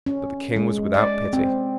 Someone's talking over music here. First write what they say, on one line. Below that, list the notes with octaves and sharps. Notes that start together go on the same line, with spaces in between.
But the King was without pity.
C#4
G#3
D5
C4